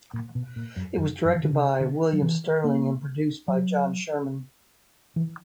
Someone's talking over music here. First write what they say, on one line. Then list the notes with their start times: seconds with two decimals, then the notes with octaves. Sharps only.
It was directed by William Sterling and produced by John Sherman.
0.13 A#2
0.35 B2
0.56 A#2
0.76 F#2
0.97 F#2
1.25 F#2
1.35 E3
1.43 D3
1.53 C#3
1.81 D3
2.13 F#3
2.22 E3
2.64 A#3
3.48 F#3
5.16 E3